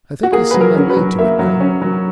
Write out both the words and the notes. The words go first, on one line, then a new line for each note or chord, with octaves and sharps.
I think I see my way to it now.
F#4
A#3 G#4
F#3 B4
A#4
C#4
B4
F#3
A#3 E5
F#3
C#4
F#3